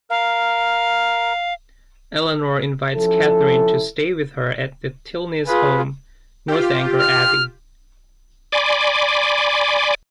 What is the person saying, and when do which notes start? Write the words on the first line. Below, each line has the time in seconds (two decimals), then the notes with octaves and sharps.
Eleanor invites Catherine to stay with her at the Tilneys' home, Northanger Abbey.
0.10 A#4 F5
2.95 F3 C#4 E4 A4
5.46 F4 G#4 B4
6.48 F4 G4
6.98 F6
8.52 D5 G#5 B5 C6 D6